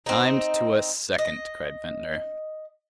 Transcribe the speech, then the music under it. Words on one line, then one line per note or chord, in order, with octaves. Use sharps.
"Timed to a second!" cried Ventnor.
C4 D#4
D#5